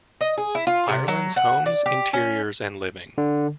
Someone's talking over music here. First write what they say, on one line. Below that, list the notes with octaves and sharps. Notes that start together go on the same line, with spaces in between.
Ireland's Homes Interiors and Living.
D#5
G#4
E4
F4
C3
F#3
F#5
D5
G4
C#4
D3